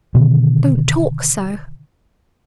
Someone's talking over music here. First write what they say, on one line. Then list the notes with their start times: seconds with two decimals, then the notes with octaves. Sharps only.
Don't talk so.'
0.15 B2 D3 D#3 B3